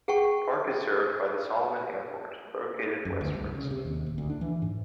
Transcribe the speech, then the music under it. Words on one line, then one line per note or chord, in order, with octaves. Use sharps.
The park is served by the Solomon Airport, located westwards.
G#4 F#5 G5 A5 C#6
F#2
D2
C2
C#3
C3
D#2
D1
D2
D4
E3
G#2